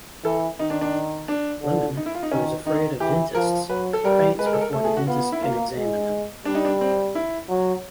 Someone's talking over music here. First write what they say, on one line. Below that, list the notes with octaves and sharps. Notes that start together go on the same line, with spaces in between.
Lemon, who is afraid of dentists, faints before the dentist can examine him.
E3 A4
D#3 D#4
D4
D4
D4
D3
D#4
E4
F4
D#4
D#3 C#4
D#3 D#4
E3 G4
F3 A#4
F#3 B4
A4
G3 A#4
G#3 B4
A#4
A4
A#4
A3 A4
G#4
F#4
B3 F4
E4
A#3 F4
G#3
G3 D4
D#4
D4
C4
E4
F#3